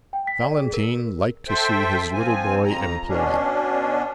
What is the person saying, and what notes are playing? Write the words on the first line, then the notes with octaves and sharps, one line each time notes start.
Valentine liked to see his little boy employed.
G5
B6
D5
G#4
A#4
A4 C5 E5 G5
F3 C4 G#5
F2 A#5
B2 C#4 D4